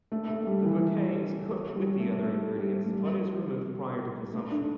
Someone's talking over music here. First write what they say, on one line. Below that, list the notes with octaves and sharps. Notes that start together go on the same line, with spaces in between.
The bouquet is cooked with the other ingredients, but is removed prior to consumption.
A3
A3
G3
E3
G3
A3
A3
G3
A3
G3
A3
D4